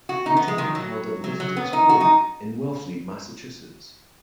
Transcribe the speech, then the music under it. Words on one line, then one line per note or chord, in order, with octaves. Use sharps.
Meetings were held at Lifton's home in Wellfleet, Massachusetts.
F#4
D#4
B3
G#3
D#3
F#3
F#3
F#3
B3
D#4
F#4
D#4